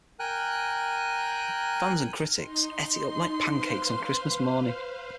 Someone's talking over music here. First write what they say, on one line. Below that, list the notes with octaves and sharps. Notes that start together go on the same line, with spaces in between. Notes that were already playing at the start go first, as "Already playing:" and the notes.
Fans and critics ate it up like pancakes on Christmas morning.
A#4 G5 G#5 F#6
D#4 C6
B4 C5 F5